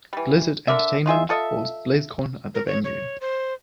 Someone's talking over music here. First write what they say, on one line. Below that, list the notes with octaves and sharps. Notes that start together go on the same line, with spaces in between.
Blizzard Entertainment holds BlizzCon at the venue.
E3 G3
D3 A#4 D5 E5
D#4 F4 G#4 E5
F4 A4 D#5 E5
A#4
C#5
C#5
C5